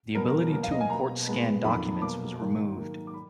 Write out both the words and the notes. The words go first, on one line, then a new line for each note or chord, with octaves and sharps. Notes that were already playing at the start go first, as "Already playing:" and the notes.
The ability to import scanned documents was removed.
B2 F#3 B3 A#4
A#4
A#4
B2 F#3 A#3 A#4
F5
D#5
G#5
B2 A#3 A#5
A#2 G#3 B3
F2 D#3 F#3 A#3 B5
B2 F#3 A#3 D6
G#2 D#3 A#3
G#2 D#3 F#3 A#3
D6
B5